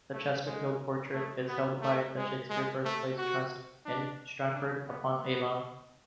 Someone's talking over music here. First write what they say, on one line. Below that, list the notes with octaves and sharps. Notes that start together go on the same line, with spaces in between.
The Chesterfield portrait is held by the Shakespeare Birthplace Trust in Stratford-upon-Avon.
A3
G#3
A3
B3
A3
G#3
G#3
A3
F#4
D4
D4
B3
B3